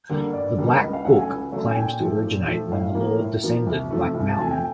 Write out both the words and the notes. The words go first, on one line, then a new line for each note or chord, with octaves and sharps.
The "Black Book" claims to originate when the Lord descended Black Mountain.
D3 G3 A#3
G2 D5
D3 G3 A#3
C#2 D#5
F5
C#3 F#3 A3 F#5
G#5
C#2
C#3 F#3 A3
G#5
A#2 G5
F3 A3
A#2
F3 A3
A2 F5
F3 A#3
A2
F3 A#3
C2
C3 F3 A3
C2
A5
C3 F3 A3 G#5
G5